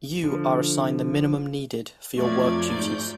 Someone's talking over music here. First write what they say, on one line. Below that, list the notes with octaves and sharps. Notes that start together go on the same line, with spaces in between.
You are assigned the minimum needed for your work duties.
D3 F3
F2 F3 F#3 A3 D5 G#6
G#2 A3 G6